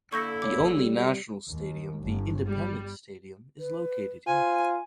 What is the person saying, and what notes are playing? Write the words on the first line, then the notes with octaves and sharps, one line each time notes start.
The only national Stadium, The Independence Stadium, is located here.
D3 A#3 E4 A4 C#6 G6 A#6
C#5 D6
G3
D#2
G1
G3
B4
F4 C5 G#5